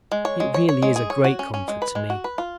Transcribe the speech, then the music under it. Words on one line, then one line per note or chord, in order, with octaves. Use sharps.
It really is a great comfort to me.
G#3
C#5
G#3
C#5
C#5
G#3
G#4
C#5
F#4
C#4
C#4
G#3
B4
G#3
F#4
B4
F4